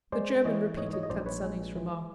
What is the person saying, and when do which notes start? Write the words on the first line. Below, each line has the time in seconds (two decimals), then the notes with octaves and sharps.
The German repeated Tant Sannie's remark.
0.12 G#3 C5 D5
0.45 E3 C#5 D#5
0.77 G#2 C#5 D#5
0.93 C#5 D#5
1.03 D#5
1.10 A#1 C5 D5
1.26 B4 C#5
1.43 G#3
1.76 E3